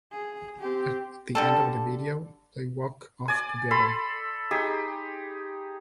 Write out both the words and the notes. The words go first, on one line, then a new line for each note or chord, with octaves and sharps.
At the end of the video they walk off together.
G#4
C4 G4
D3 G3 A4
D5 G#5
A4 B5 C6
D#4 G4 G#4